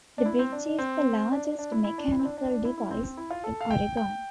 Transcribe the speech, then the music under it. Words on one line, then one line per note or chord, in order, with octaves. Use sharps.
The bridge is the largest mechanical device in Oregon.
D4
E4
C4
D4
D4
C4
D4
D4
D4
E4
E4
D4
E4
C4
D4
D4
D4
E4
E4
C4
C4
E4
F4
A4
F5
G5
G5